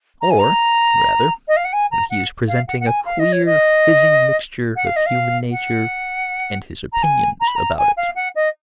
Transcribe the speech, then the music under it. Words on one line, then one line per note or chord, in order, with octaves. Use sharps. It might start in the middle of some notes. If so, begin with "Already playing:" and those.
Or, rather, when he is presenting a queer fizzing mixture of human nature and his opinions about it.
A#5
G#5
A#5
D#5
F5
F#5
G#5
A#5
F#5
F5
F#5
F#5
G#5
F5
D#5
C#5
D#5
F#5
F5
D#5
F5
F#5
A#5
G#5
A#5
B5
A#5
G#5
F5
F#5
D#5